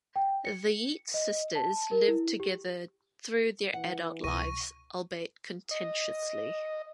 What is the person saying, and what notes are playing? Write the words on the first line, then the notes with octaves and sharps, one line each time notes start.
The Yeats sisters lived together through their adult lives, albeit contentiously.
G5
C#7
D#5
A5
A#4
E4
G4
E3 F#5
C#2 C3 C#6 A#6 D#7
D#5